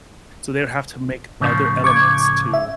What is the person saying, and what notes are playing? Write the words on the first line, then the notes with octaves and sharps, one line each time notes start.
so they would have to make other elements to
A2 C#3 F3
C#6 D6 G#6
E5